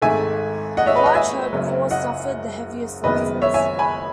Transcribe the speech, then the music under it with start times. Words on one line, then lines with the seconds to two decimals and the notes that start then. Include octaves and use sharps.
Large herbivores suffered the heaviest losses.
0.02 G#1 G#2 D#3 A3 E5 G#5
0.77 D#5 F#5
0.86 C#5 E5
0.96 B4 D#5
1.06 D#5 F#5
1.15 E5 G#5
1.53 F#1 F#2 C#3 F#3
1.91 D#5 F#5
3.03 F#1 F#2 D#3 G#3 B3 B4 D#5
3.42 C#5 E5
3.54 E5 G#5
3.79 G#5 B5